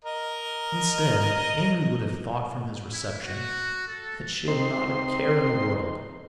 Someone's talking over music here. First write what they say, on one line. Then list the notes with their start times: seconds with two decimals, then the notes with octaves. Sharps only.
Instead, Amory would have thought from his reception that she had not a care in the world.
0.05 A#4 D#5
2.92 E4
3.23 F#4
3.88 A4
4.48 C4 D#4 C6